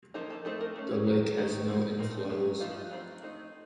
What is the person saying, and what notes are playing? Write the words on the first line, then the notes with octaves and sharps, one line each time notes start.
The lake has no inflows.
F3 A#3 D#4 A4
A4
A3 C4 D#4 A4
A#4
A3 C#4
C#5
D#3 F#3
D#3 A3 D#4 C5
F3 C4 D#4
F3 A3 C4 D#4 A#4
A4
F#3 A3 C#4
F3 A3 D#4 F4
F#4
F4
F#3 A3 C4 D#4 F4
A3 C4 D#4